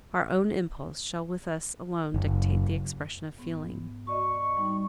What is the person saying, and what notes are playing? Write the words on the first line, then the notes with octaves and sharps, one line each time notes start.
Our own impulse shall with us alone dictate the expression of feeling.
F#1
G#2 B3
F#4 D5 D#5 C#6
G3 D#4